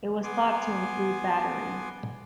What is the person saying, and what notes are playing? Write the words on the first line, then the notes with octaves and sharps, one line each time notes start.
It was thought to include battery.
B3 G#5 C6 D6